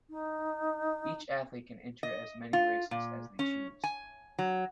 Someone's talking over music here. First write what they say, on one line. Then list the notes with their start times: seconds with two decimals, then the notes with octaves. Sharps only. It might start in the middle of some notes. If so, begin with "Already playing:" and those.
Each athlete can enter as many races as they choose.
0.10 D#4
2.03 D#5
2.53 F4
2.91 A#2
3.39 C#4
3.84 G#5
4.39 F#3